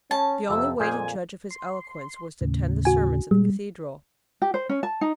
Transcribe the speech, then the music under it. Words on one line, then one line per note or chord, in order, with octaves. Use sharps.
The only way to judge of his eloquence was to attend the sermons at the cathedral.
C#4 A5
F2 C3 E6
F2 A#2 G#4 C5 G#5
C6
D#2 A2 C#3
F#4 G#5
A#2 G3 G#3
G4
C5
C#4
A5
D#4